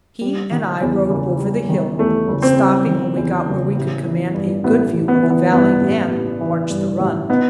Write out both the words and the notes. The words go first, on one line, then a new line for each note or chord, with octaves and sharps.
He and I rode over the hill, stopping when we got where we could command a good view of the valley and watch the run.
G3
D#3
E2
F#1
G3
D#3
E2 A3
F#1
C4
G3
D#3
E2
F#1
A1
E3
G2
A1 B3
A1
B3
E3
B3
G2 B3
A1
A1
E3
G2
A1
B3 D#4